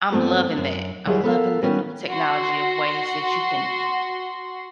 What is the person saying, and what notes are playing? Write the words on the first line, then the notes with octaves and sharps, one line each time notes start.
I'm loving that. I'm loving the new technology of ways that you can
G2 A3 B3 C4
F#2
D#2 F#3 G3 G#4 E5
B3 A4 A#4 F5
G3 B3 C#4 F#4
F#4 C6